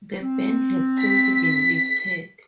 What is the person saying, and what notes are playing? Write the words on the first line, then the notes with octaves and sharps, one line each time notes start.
The ban has since been lifted.
C4
B6